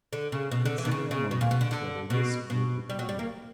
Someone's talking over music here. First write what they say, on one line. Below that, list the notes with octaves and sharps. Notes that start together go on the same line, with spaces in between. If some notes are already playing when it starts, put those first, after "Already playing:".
Consider a moment whether this would become you.
D3
C#3
B2
D3
E3
B2
C#3
C#3
B2
A#2
B2
D3
D3
B2
B2
G3
F#3
G3
A#3